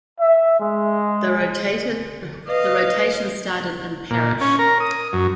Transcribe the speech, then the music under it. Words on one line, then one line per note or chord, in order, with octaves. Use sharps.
The rotation started in Parrish.
E5
G#3
B4 D#5 F5
A#2
C#4
A#4
D#6
F#2